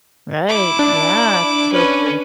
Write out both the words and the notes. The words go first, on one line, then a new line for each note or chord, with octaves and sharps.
Right, yeah, so true.
E4 D6
D4
C#4 B4